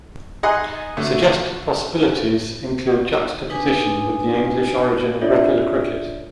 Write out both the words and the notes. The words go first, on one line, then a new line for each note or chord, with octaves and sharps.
Suggested possibilities include juxtaposition with the English origin of regular cricket.
D#4 G#4 D#5 F#5 G#5 C6
D3 F#3 A3
D4 D#4 B4 G#5
D4 F4 A4 C#5 D5 E5